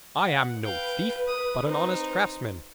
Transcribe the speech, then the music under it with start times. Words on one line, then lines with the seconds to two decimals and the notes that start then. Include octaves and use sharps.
I am no thief, but an honest craftsman.
0.21 F#5
0.64 B4 F5 G5
1.27 D#6
1.66 C4 D#4